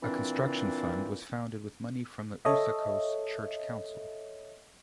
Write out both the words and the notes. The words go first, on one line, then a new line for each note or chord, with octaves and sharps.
A construction fund was founded with money from the Usakos church council.
A#2 E3 C4 D4
A4 C#5 D#5 E5